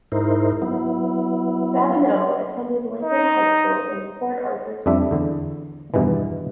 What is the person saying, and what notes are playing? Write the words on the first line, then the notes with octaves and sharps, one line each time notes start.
Babineaux attended Lincoln High School in Port Arthur, Texas.
G#2 D#4 E4 A#4 C5
F#3 B3 E4
D#4
F2 G3 D4 E5
E2 D3
E2 G2 B2 D#3 E3